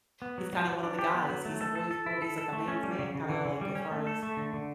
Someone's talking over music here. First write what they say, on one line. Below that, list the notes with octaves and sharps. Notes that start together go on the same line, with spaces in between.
he's kinda one of the guys, he's a boy's bo he's like a man's man kinda like, as far as
B3
F#3
F#3
F#3
D4
G4
B3
F#3
A3
A4
A4
A4
E4
A4
A4
A3
C#4
G3
C#3
C#3
E3
C#3
G3
C#4
A3
A4
A3
D3
D3